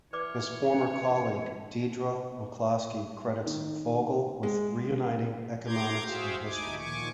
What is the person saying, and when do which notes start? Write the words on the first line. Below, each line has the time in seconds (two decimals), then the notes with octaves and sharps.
His former colleague Deirdre McCloskey credits Fogel with "reuniting economics and history".
0.13 E3 B4 C#5 D5 D6
3.46 D#3
4.43 G#3
5.66 A#5 C6 D6 G6 G#6
6.03 F#4 G#4 C5 E5 F5 G5
6.43 D2 A3 D#4 E4 G#5 D6
6.76 A#2 D#3 F3 G#5 C#6 D6